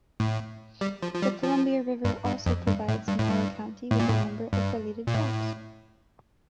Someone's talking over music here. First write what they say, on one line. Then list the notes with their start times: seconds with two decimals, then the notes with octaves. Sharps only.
The Columbia River also provides Morrow County with a number of related jobs.
0.20 A2
0.81 G3
1.02 F3
1.14 F3
1.22 G3
1.43 F3
2.05 G2
2.26 G2
2.46 F2
2.67 G2
2.88 A2
3.08 G2
3.19 A2
3.29 G2
3.91 A2
4.00 A#2
4.09 A2
4.53 G2
5.07 A#2
5.14 A2